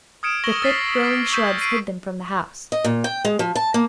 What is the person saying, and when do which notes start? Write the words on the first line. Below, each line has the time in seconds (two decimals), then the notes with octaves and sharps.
The thick growing shrubs hid them from the house.
0.23 D#6 F6 G#6 C#7 D7 E7
0.44 C#6 E6 A#6 F#7 G7
0.61 E6 F6 A6 B6 C7
1.04 D6 C7 D7
1.32 C#6 E6 G6 G#6 B6 C7
1.61 C7 D7 D#7
2.72 D#5
2.84 A#2
3.04 G5
3.25 G#3
3.39 F3
3.55 A5
3.74 A#3